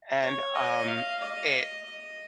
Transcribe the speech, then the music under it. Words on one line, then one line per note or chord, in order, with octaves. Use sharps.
and, um, it
C#5
D#5
F5
D#5
D#5